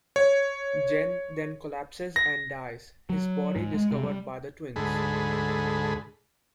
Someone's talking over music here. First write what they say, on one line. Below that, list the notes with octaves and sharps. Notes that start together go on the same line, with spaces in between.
Gen then collapses and dies, his body discovered by the twins.
C#5
A#6
F#3
G#2
G#3
C3
G3
D2 G#2 G#4 A4 B5